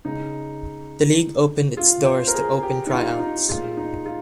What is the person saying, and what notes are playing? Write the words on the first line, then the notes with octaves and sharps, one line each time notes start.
The league opened its doors to open try-outs.
C#3 G#3 D#4
F4
C5
A#4
G#4
G4
D#4
F4
D#4
A#2 G#3 F4
D#4
F4